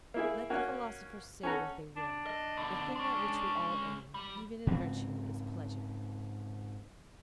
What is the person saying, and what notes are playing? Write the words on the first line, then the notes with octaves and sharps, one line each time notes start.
Let the philosophers say what they will, the thing at which we all aim, even in virtue is pleasure.
A#3 E4 G#4
A#3 C#4 F#4
C#4 A4 F#5 A#5
D4
D#5
B2 D3
G#3 C#4
G3
G#2 C#3 C4